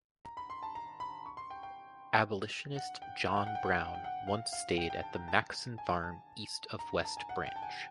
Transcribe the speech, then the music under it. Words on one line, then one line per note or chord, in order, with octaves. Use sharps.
Abolitionist John Brown once stayed at the Maxson farm east of West Branch.
A#5
B5
C6
A5
A#5
B5
C#6
C6
G5
G5
F#5
G5
F#5
G5
F#5
G5
F#5
G5
F#5
G5
F#5
F5
F5
G5
G5
A5
A#5
A5
G#5
A5
A#5
A5
G#5
F#5
G5
A5
G#5